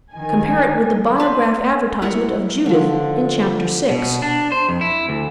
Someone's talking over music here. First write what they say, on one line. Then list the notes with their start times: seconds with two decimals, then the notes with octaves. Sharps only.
Compare it with the Biograph advertisement of Judith in chapter six.
0.13 D#3 G#5
1.20 B4 C5
2.02 E4 A#4 F#5
2.66 D3 F3
3.90 B2
4.22 D4
4.52 C5
4.69 F2
4.81 E4
5.09 D2